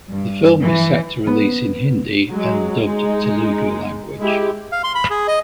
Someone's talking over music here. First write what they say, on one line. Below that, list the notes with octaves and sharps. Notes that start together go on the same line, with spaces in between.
The film is set to release in Hindi and dubbed Telugu language.
G2
E3
B3
F#3 G#3
G#3 D#4
G#3 E4 G4
F5
C6
B5
G#4
D#5